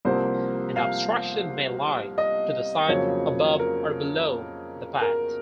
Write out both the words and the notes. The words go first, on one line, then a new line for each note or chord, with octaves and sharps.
An obstruction may lie to the side, above, or below the path.
C2 C3 F3 A#3 C5
F5
D#5
F2 C#3 F#3 A#3 C#5
A#4
A#4